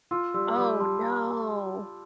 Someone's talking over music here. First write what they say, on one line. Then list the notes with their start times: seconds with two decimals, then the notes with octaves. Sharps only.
Oh, no.
0.11 F4 C6 E6
0.34 G3 C6 E6
0.51 E6
0.57 G3 B5 D6
0.80 G3 A5 C6